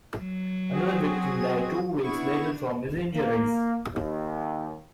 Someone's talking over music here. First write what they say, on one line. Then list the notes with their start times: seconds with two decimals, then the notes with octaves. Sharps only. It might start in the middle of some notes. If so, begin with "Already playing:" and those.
Another victim died two weeks later from his injuries.
0.18 F#3
0.73 C4 F#4 G#4
2.03 B3 D4 E4 C#6
3.15 A#3
3.93 D#2